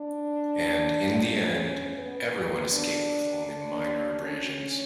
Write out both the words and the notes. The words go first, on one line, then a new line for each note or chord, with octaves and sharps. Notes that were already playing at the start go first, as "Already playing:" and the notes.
And in the end, everyone escaped with only minor abrasions.
Already playing: D4
C#4
B3
D4
D4
C#4